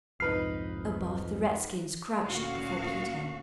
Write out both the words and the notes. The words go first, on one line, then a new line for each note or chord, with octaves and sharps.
Above, the redskins crouched before Peter.
C2 F2 G#2 D#4 B4 F6 C7
D2 A#2 C#4 F#4 F5